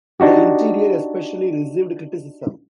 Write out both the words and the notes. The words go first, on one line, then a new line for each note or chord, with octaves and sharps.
The interior, especially, received criticism.
D4 D#4 F#4 G4